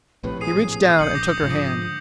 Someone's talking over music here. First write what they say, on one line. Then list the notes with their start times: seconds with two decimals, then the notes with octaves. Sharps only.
He reached down and took her hand.
0.23 A#1 A2 C3 B4
0.41 G#4 D#6 C7 D#7
0.99 A#1 D#6 G6 C#7 F#7
1.14 D6 A#6
1.43 G#2 D3 F3